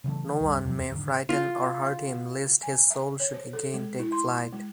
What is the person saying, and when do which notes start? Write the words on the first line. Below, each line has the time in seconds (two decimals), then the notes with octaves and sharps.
No one may frighten or hurt him lest his soul should again take flight.
0.04 C#3 E3 G#3 A3
0.40 C#2 G2
0.65 E2 C3 F3 F#3
0.78 E2
0.92 E2 G#2 D3 D#3
1.29 F4
2.63 G#5
2.90 E5
3.20 C#5
3.34 C5
3.53 A4
3.74 G#3
3.99 E4
4.12 C6
4.52 G#3